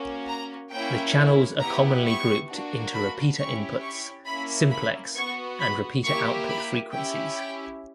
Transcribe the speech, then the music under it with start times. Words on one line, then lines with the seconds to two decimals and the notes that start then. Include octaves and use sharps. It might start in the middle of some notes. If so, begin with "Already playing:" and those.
The channels are commonly grouped into repeater inputs, simplex, and repeater output frequencies.
Already playing: A#3 C#4 F#4
0.28 A#5
0.71 A#3 C#4 E4 G5
1.60 B3 E4 G4 A#5
2.05 C#6
2.49 A#3 D4 F#4
2.94 B5
3.38 C#4 E4 G4 C#6
3.83 C#6
4.26 A#3 C#4 E4 B5
4.72 B5
5.15 B3 F#4 C#6
5.60 B5
6.04 A#3 E4 G4 C#6
6.49 B5
6.93 C#4 E4 G4 G5
7.37 G5